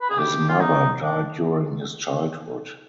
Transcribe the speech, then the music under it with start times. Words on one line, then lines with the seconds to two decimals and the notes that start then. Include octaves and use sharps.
His mother died during his childhood.
0.02 B4
0.10 G#4
0.18 G4
0.49 F4
0.60 D#4
1.02 D4